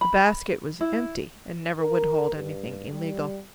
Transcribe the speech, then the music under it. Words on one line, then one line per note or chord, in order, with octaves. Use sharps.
The basket was empty, and never would hold anything illegal.
B5
E4
A#4
G2
G3